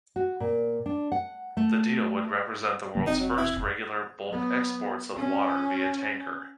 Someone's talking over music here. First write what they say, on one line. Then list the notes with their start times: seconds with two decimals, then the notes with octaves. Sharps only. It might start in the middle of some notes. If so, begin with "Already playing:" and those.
The deal would represent the world's first regular, bulk exports of water via tanker.
0.16 F#4
0.40 A#2
0.86 D4
1.12 F#5
1.57 A3
2.95 C#3 F#3 A#3
3.06 F1 C4 D#4
3.20 F#3
3.37 E4
3.56 F1
4.28 F#3 B3
5.16 C#4